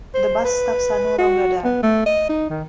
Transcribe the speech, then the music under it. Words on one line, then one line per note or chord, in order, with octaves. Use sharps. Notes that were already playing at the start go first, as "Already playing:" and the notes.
The bus stops are no longer there.
C5
B4
F#4
B3
A3
D#5
D#4
D#3